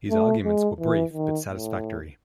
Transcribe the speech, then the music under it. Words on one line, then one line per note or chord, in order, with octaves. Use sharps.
His arguments were brief but satisfactory.
A3
G#3
E3
D#3
A2